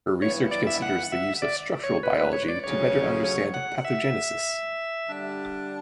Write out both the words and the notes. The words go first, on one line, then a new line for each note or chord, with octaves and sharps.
Her research considers the use of structural biology to better understand pathogenesis.
G2 E3 B3 E4 C#5
D5
E5
F#5
E5
D5
C#5
B4
B4
C#5
D5
D2 C#3 F#3 C#4 C#5
C#5
F#5
E5
D3 G3 D4